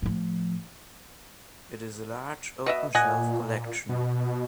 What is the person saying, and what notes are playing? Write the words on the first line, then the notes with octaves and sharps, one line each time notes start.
It is a large "open shelf" collection.
A2 F3
B2 D#5 E5
A#2 D#5 F#5 G#5
B2